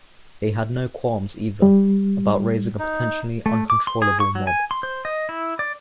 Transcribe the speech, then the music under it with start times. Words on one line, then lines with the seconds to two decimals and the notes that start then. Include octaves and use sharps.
They had no qualms, either, about raising a potentially uncontrollable mob.
1.62 G3
2.79 D#4
3.46 A3
3.70 D6
3.87 C6
4.02 G#4
4.20 C#6
4.35 F#3
4.47 G#5
4.71 C6
4.83 C5
5.05 D#5
5.29 E4
5.59 D5